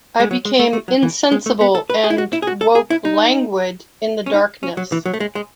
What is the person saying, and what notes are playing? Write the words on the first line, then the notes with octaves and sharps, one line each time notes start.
I became insensible and woke languid in the darkness.
G#3
F#3
G#3
A3
A3
F#3
E3
G#3
A3
B3
A4
B4
G#4
E4
F#4
E4
G#4
F#4
A4
G#4
E4
D#4
C#4
D#4
C#4
F#3
E3
F#3
A3
G#3
G#3